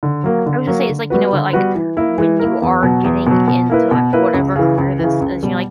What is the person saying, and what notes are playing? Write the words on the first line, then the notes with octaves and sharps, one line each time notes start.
I would just say it's like, you know what? Like, when you are getting into, like, whatever career this is, you know, like
D3
F#3 A#3
D3
F#3 A#3
D3
G3 B3 F#4 B4
D3
G3 B3 F#4 B4
E3
A#3 E4 A#4
E3
A#3 E4 A#4
E2
B2 F#3
E2
B2 F#3
B2
A#3 E4 B4
B2
A#3 E4 B4
C#2
C#3 E3
C#2
C#3 E3
C#2
B2 G3